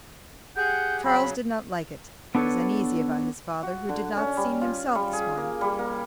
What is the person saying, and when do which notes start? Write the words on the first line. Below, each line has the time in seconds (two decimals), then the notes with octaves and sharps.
Charles did not like it; he was uneasy about his father, who did not seem himself this morning.
0.56 G4 G#4 F#5 G6
1.04 C#3 F#3 B5
2.35 B3 D4 A4 B4 C#5
3.63 F#4
3.89 D3
4.17 C#4
4.37 G3
4.61 F4
4.95 G3
5.13 G#4
5.37 A#3
5.61 G3
5.79 A#3